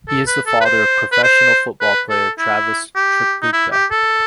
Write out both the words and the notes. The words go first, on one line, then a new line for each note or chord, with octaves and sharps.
He is the father of professional football player Travis Tripucka.
A4
B4
A4
B4
C5
B4
C5
B4
A4
E4
G4
D#4
E4
G4
A4